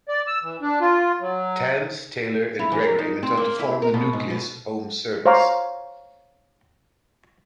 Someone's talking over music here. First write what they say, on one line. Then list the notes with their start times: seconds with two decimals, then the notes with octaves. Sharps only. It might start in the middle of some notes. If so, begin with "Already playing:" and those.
Tams, Taylor and Gregory went on to form the nucleus of Home Service.
0.09 D5
0.27 E6
0.43 E3
0.62 D4
0.81 F4
1.21 F#3
2.59 E4
2.72 E3
2.84 A#4
2.98 D#4
3.23 C4
3.37 A#3
3.59 E4
3.82 A#4
3.94 B2
4.13 G#2
4.30 B2
5.26 C5 C#5 F5 A#5 D6